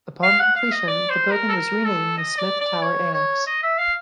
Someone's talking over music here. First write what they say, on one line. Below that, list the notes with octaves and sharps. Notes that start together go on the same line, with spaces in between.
Upon completion the building was renamed the Smith Tower Annex.
F5
F#5
F5
D#5
D5
C5
A#4
A4
A#4
A4
D#5
D5
D5
C#5
C#5
D#5
E5
F5